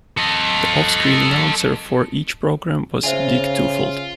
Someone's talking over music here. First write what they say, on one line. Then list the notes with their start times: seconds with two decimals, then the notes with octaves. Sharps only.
The off-screen announcer for each program was Dick Tufeld.
0.17 A4 D#5
3.04 C#3 F4 C5 E5 G#5